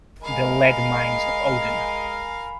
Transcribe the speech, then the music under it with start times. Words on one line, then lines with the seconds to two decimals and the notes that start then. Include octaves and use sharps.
The lead mines of Odin.
0.23 G#3 A#4 D#5 F5 G#5 B5